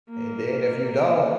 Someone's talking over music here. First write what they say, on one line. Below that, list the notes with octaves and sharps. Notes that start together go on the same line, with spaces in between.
And then if you don't
A#3